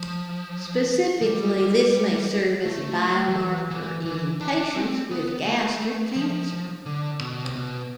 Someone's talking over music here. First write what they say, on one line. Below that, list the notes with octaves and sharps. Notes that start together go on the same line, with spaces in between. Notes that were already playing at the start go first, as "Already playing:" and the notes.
Specifically, this may serve as a biomarker in patients with gastric cancer.
Already playing: F3
F3
G3
A3
F3
E3
E3
E3
D4
D4
C4
B3
A3
F3
D3
B2
C3
B2